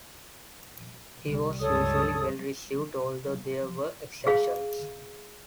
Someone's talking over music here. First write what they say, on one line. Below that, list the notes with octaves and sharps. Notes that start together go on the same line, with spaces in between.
He was usually well-received although there were exceptions.
C2 G3
C#2 G2 A4 C#5 D#6
G#4 F5